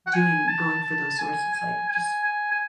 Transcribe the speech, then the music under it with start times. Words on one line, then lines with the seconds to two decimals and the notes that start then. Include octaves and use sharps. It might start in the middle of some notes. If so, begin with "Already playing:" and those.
doing going for those sources, like just
0.07 F#5
0.14 G#5
0.48 A5
0.84 A5
1.19 G#5
1.54 G#5
1.89 G#5
2.24 G#5
2.52 G#5